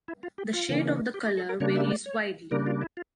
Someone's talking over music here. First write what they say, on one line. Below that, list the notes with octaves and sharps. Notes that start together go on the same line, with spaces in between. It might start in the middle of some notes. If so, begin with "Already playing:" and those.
The shade of the color varies widely.
E4
F4
G4
F4
C#3 E3 A#3 C#4
G4
G4
A4
A#4
C#3 G3 A#3 D4 C#5
E5
D5
C#5
C#3 G3 A#3 D4 A#4
F4
E4
F4